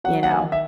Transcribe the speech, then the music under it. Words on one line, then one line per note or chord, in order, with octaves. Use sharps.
You know?
F#3 F#5
F#5
D#3 G#5
E5